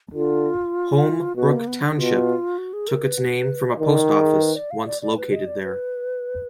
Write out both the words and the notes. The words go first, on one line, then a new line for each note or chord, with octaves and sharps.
Home Brook Township took its name from a post office once located there.
D3 F4
B2 F#4
A#3
B3
D4
B2 F4
F#4
G#4
A#4
B4
D#5
D#3 D5
D#5
G#4
B4
D5
F5
D5
D5
B4
D#5
D5
B4